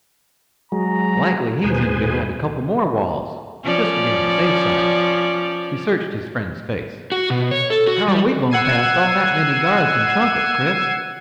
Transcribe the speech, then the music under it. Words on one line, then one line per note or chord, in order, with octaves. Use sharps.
Likely he's in behind a couple more walls, just to be on the safe side." He searched his friend's face. "How are we going past all that many guards and trumpets, Chris?
F#3 G#3 A#5
D#2 B2 G#4 B4 C5 G#5
F3 C#4 D5
F#4
B2
C#5
A4
F#4
G3
F#5 E6 G#6 C7 D#7